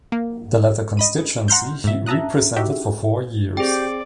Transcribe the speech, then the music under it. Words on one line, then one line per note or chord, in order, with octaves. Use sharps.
The latter constituency he represented for four years.
A#3
D#5 B5 D#7
F#5 A#5 C6 F6 G6
G#2 E5
E5 A5 A#5 D#6 F#6
D#4 F#4 G4 E5
C4 G4 G#4 D5 G5